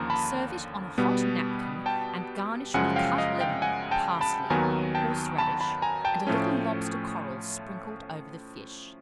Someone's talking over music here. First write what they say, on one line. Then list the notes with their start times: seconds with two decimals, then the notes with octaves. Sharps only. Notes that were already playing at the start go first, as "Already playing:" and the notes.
Serve it on a hot napkin, and garnish with cut lemon, parsley, horseradish, and a little lobster coral sprinkled over the fish.
Already playing: D#2 D3 F3 A#3 C#4 A#5
0.10 A5 B5
0.98 B2 G3 B3
1.86 G5 A5
2.74 F#2 C#3 F3 G#3 F#5 G#5
2.96 F5 G5
3.18 D#5 F5
3.40 F5 G5
3.62 F#5 G#5
3.91 G5 A5
4.21 A5 B5
4.50 D#2 D#3 F#3 B3 G#5 A#5
4.95 G5 A5
5.38 A5 B5
5.60 A5 B5
5.82 G#5 A#5
6.05 G5 A5
6.27 A2 F3 A3 C#4